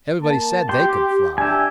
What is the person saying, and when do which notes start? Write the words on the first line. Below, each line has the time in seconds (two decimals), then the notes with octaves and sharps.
Everybody said they could fly.
0.23 A#3 A5
0.69 G4 G5 C6
1.38 D4 G4 E5 G#5